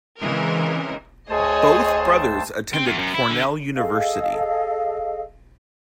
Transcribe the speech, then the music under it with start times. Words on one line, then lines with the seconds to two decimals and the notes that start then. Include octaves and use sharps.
Both brothers attended Cornell University.
0.20 C#3 E3 G#3 C4 A#4
1.30 D2 G#4 C5 C#5 D#5 A5
2.74 C4
2.87 E2
2.98 F#2
3.14 E4
3.30 D3
3.76 G#4 A4 D#5 F5